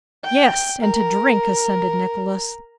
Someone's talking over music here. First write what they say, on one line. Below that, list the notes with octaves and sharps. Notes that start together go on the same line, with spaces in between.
"Yes, and to drink," assented Nicholas.
G5
A#4